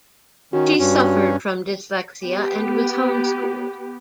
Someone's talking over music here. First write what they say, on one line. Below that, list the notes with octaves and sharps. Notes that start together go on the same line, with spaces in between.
She suffered from dyslexia and was home-schooled.
D#3 C#4 F#4
G2 C#4
B3 G4